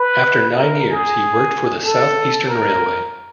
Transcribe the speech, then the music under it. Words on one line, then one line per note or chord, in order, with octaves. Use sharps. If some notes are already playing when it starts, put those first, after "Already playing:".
After nine years, he worked for the South Eastern Railway.
Already playing: B4
A#4
G#4
A4
A#4